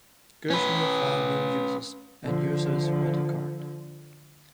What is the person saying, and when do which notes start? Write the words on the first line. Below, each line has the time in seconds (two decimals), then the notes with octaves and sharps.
Gerstner found new uses and users for the card.
0.50 C#4 B4
2.24 D3 F3